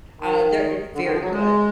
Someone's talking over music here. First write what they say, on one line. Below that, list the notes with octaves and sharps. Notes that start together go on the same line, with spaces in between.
Uh, they're it's very good.
D#3
D3
D#3
F3
F#3
G#3